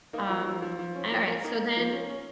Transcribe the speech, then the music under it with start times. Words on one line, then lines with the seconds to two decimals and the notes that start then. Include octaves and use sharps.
Um, an all right, so then
0.13 A#3 D#4
0.29 F3
0.46 F3
0.62 F3
0.79 F3
0.95 C#4
1.12 F3
1.28 A#3
1.44 A#3 D#4
1.60 A#3
1.77 F3
1.92 C#4
2.09 C#4